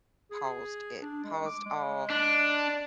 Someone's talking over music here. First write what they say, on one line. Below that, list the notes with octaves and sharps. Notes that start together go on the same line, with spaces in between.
paused it paused all
G#4
D4
G#3
D6
G#3
D4